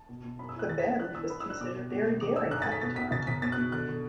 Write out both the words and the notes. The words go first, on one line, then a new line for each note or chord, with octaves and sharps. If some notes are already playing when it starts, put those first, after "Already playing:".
The "bend" was considered very daring at the time.
Already playing: A5
B2
B2
F#2 B5
E6
E4 F#6
E2 A6
B6
D4
E2 F#6
E2 E6
A2 B5
E6
D4 F#6
B2 D6
B2
B2
B2
D3 D6
D3 E6
F#2 F#6
A6
A3
B6
B2 A6
B2 B6
F#2 A6
F#2 B6
B2 A6
F#6
B2
D3 F#6
D3